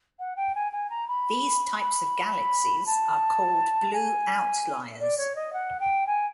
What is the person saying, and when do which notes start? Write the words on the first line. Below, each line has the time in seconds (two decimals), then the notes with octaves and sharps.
These types of galaxies are called "blue outliers".
0.19 F#5
0.36 G5
0.55 G#5
0.72 G#5
0.90 A#5
1.08 B5
1.80 B5
2.86 A5
3.93 G#5
5.00 D5
5.18 C#5
5.35 D#5
5.53 F#5
5.80 G5
6.07 G#5